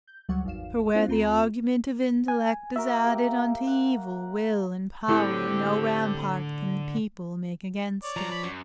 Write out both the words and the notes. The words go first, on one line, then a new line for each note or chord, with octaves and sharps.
For where the argument of intellect Is added unto evil will and power, No rampart can the people make against it.
G6
D2 F#3 G3 F#5 C#6
G#1 E2 F5 E7
B3 C#4 E4 F4 C5 F5
D2 C4 F4 A#5 B5
G#5
F#4 A#4 E5
A#3 G4
F#5
A2 D3 C4 G4
C#5 D5
F#2 F3 A#5
B5
F#2